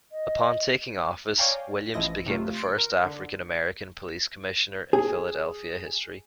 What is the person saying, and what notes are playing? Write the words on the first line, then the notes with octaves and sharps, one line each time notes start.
Upon taking office, Williams became the first African American police commissioner in Philadelphia history.
D#5
C#5 D5 F5 G5 G#5 A#5
A1 E3 F3 E4 D#5 A#6
C3 A3 F4
C6 F#6 C#7 D7
A#4
D3
G#4